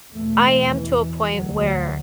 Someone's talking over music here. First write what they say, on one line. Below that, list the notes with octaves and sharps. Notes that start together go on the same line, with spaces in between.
I am to a point where
E2 B2 A3
A3
E3
D2 F#3
F#3